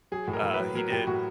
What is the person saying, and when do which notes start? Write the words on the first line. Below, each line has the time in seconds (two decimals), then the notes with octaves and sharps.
Uh, he did.
0.12 F#3 G#4
0.28 A2
0.33 A#4
0.43 A2
0.54 B4
0.59 F#3
0.75 F#3 A#4
0.91 A2 G4
1.07 A2 F#4